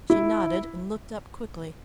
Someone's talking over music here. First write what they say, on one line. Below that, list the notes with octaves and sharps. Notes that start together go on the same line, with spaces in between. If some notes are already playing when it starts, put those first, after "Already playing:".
She nodded, and looked up quickly.
E4